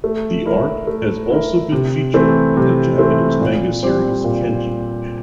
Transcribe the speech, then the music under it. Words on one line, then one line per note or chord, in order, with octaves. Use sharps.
The art has also been featured in the Japanese manga series Kenji.
A3
E4 A#4
A3
E4 A#4
C3
E3 A3 C4
C3
E3 A3 C4
A#2
G3 C4 G4 C5
A#2